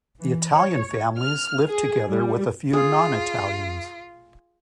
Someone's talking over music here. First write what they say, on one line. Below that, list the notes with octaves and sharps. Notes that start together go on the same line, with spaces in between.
The Italian families lived together with a few non Italians.
E3
C#5
F6
G#4
G3
F4 G#4